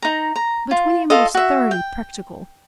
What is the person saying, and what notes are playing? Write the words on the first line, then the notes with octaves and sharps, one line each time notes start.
But William was thoroughly practical.
D#4 A#5
A#5
F4
F4 A4 D#5
F#4 E5
G5